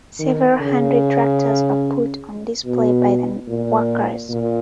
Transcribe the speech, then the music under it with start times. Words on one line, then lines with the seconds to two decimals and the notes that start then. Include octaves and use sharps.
Several hundred tractors are put on display by the workers.
0.19 D#3
0.60 C#3
2.65 B2
3.47 A#2
4.29 A#2